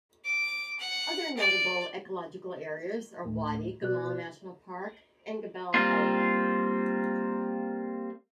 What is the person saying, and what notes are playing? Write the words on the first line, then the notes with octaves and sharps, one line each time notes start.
Other notable ecological areas are Wadi Gamal National Park and Gebel Elba.
D6
F#5
D5
D2 A2 A3
B2 F#4 B4 D5 F#6
G3 A#3 C4 F4